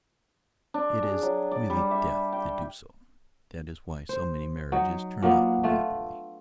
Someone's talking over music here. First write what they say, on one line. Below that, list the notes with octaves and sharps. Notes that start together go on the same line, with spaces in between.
It is really death to do so--that is why so many marriages turn out unhappily.
D4
G#4
F#3
D5
G3
E5
G5
C5
F#3 D#4
A#2 F#3 A#3 B3
A3 D4 F4